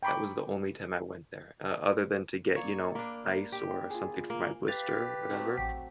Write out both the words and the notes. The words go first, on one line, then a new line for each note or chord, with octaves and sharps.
that was the only time I went there, uh, other than to get, you know, ice or something for my blister, whatever,
G5 A#5 B5 C#6 D6
A#3 C#5 D5 E6
A#3 D4 B5
G4
F4 G#4
A#3
G4 B4 F5 A6
F#3 A3 C4
A1 G5 B6